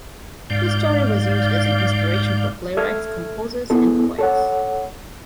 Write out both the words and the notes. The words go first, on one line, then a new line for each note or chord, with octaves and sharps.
Her story was used as an inspiration for playwrights, composers and poets.
G#2 D5 F5 G6
A4 E5 F6 G#6
B3 E4 G#4 A4
A4 C#5 F#5